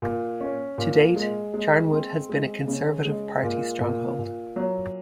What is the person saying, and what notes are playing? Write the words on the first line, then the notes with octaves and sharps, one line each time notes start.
To date Charnwood has been a Conservative Party stronghold.
A#2
C#4
A#2
G#3
G#3
C4
G#3
C#3
G#3
A#2
A#2
A#2
F#3